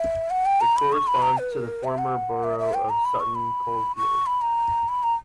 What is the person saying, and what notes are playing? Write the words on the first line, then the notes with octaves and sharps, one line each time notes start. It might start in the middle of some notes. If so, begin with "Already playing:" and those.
It corresponds to the former borough of Sutton Coldfield.
Already playing: E5
F#5
G5
A#5
B5
C#6
B5
A#5
B4
A#4
E5
F#5
E5
E5
G5
A#5
B5
C#6
B5
C#6
B5
A#5
B5
A#5